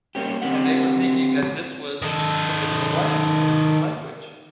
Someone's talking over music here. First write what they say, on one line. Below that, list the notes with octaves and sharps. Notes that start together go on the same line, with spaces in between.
and they were thinking that this was permissible lang permissible language.
G3 A#3 C#4 G4
D3 C4 G4 F#5
D#3 A4